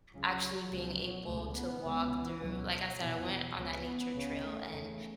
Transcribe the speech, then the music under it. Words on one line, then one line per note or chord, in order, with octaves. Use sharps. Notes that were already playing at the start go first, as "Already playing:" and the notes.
actually being able to walk through like I said, I went on that nature trail, and
C#2 C#3 F#3
C#2 B2
F#3
C#2 B2 A3
B3
C#2 B2
E3
C#2 B2 F#3
E2 B2
C#2 C#3 B3
C#2 C#3
A3
E2 C#3